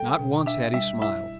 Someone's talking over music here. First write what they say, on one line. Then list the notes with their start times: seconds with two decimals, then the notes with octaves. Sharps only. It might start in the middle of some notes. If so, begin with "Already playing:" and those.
Not once had he smiled.
Already playing: G3 A4 G5
0.19 B2
0.46 D4 E5
0.74 G3 E5
1.02 E4 E5